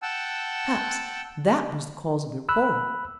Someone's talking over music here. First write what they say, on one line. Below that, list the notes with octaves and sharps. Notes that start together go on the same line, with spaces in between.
Perhaps that was the cause of their quarrel.
F#5 G5 A5 E6
B5 E6 F#6